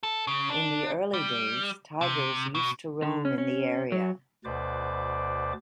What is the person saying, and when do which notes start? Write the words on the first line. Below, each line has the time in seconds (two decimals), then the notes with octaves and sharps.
In the early days, tigers used to roam in the area.
0.03 A4
0.27 C#3
0.50 D4
1.14 G3
2.01 C3
2.55 B2
3.02 D3
3.25 C#4
3.38 C#4
3.92 F#3
4.45 D2 B2 B4 C5 D5 D6